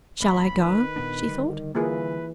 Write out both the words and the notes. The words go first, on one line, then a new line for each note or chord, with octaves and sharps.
"Shall I go?" she thought.
A1 D#2 B5
D#3 B4
A#2 B3 D4
D3 G3
E3 A#3 F4 G#4 B4